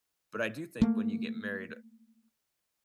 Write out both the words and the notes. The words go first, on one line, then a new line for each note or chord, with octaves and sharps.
but I do think when you get married,
A3 A#3